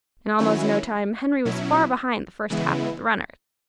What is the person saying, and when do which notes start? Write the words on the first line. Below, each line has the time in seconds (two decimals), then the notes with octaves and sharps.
In almost no time, Henry was far behind the first half of the runners.
0.39 D#3 F#3 C#4 E4
1.45 B2 F#3 C#4 E4
2.50 C#3 E3 G#3 B3 E4